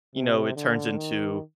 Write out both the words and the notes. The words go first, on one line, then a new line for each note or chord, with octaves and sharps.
you know, it turns into,
C3
D3
D#3